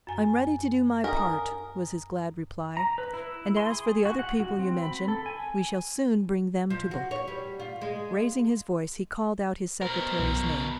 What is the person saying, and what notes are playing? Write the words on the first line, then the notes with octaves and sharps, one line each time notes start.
"I am ready to do my part," was his glad reply, "and as for the other people you mention, we shall soon bring them to book." Raising his voice, he called out his secretary's name.
F#2 G#5
A#4 G#5 D#6
A#5
B4
E4
C6
G#4
F#4
F#5
F#4
C4
B5
A4
G#5
F3
F#4
C#5
G3
F4
G#3
B2 A#4 C5
B1